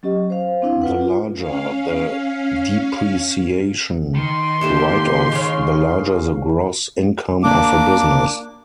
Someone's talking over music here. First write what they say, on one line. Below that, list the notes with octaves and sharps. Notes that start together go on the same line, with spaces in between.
The larger the depreciation write-off, the larger the gross income of a business.
F#3 C#4 G4 D#5
C5 F5
C4 D4 E4 F5
F4 B4 F#5
F4
C#4 F5
D#3 C6
A#3 D4 E4 G4 A4
C#3 G#4 C#5 F5
A#3 D4 D6